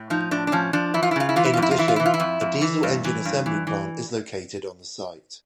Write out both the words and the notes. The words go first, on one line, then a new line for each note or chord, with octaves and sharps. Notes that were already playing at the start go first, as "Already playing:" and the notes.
In addition, a diesel engine assembly plant is located on the site.
Already playing: A2
F3 D#4
A2 D4
D4
F3 C#4
F3 D4
E3 E4
F4
E4
C#3 F4
E4
E3 F4
E4
F4
F2
E4
F4
E3 E4
F4
E3 E4
F4
E4
F2
F2
E3
G2
E3
G2
E3
E3